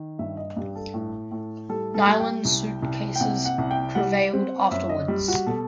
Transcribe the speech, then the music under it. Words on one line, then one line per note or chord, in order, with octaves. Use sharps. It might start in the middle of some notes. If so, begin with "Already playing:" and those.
Nylon suitcases prevailed afterwards.
Already playing: D#3
G2 E5
D#5
G2 G4
A4
A2
A2
G3 A4
A4
G3
G5
C2
C2
G5
C3 F#5
F#5
C2
G5
G3 F#5
C4
F#2 E5
D#5
G3
F#4
B2 A4